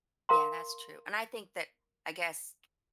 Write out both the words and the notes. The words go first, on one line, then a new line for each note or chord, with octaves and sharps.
Yeah, that's true. And I think that, I guess,
A#4 F5 A#5 C6